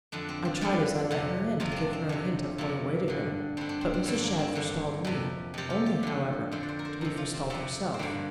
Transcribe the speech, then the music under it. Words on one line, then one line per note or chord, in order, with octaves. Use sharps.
I tried as I let her in to give her a hint of what awaited her, but Mrs. Shadd forestalled me, only however to be forestalled herself.
F2 D3 D4
C4
C4
F4
F2 D3 D4
F2 C3
F2 C3 F4
C4 D4
C4
F2 C3
F2 C3 A#3
G2 D3
G2 D3 C4
D4
C4
C4
G2 D3 C4
A#3
C4
G2 D3
F2 C3
F2 C3 G4
F4
G4
F2 D3
F2 D3 C5
D5
C5
A#4
C5
F2 C3 A#4
F4
C4
F2 C3 C4
C4
G2 D3 A#3